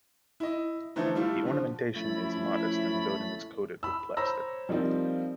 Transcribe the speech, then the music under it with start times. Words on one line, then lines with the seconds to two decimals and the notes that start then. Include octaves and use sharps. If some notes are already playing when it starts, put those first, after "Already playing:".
The ornamentation is modest and the building is coated with plaster.
0.40 E4 D#5
0.96 D3 E3 F3 A3 D#4
1.15 G3 A3 E4 F4
1.45 D3 F3
1.96 F3 A3 C#4 E4 B5
3.83 B5 E6
4.17 C5 C#5 A#5 B5 E6 A#6
4.69 F3 G3 A#3 C4 D#4 F4